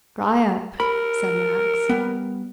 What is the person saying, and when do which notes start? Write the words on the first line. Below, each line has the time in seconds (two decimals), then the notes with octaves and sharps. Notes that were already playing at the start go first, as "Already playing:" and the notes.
"Dry up," said Max.
0.80 A#4 B5
1.89 G3 B3